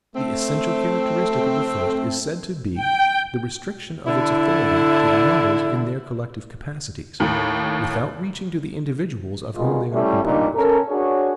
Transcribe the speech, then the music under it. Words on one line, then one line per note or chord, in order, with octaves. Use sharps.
The essential characteristic of the first is said to be, the restriction of its authority to the members in their collective capacities, without reaching to the individuals of whom they are composed.
A3 C4
G5
D3 E4
D#2 A2
B2 D#3 G3 G#3 F4
G3 A3 C#4 E4 G4
A#2 G3 D4 D#4
C#4 A4 A#4
D4 F#4 G#4 C#5